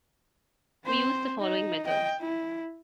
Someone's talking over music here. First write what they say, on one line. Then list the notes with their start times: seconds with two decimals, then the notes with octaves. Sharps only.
We use the following methods.
0.85 C4 C5
1.39 D#4
1.85 D#5 G5
2.20 E4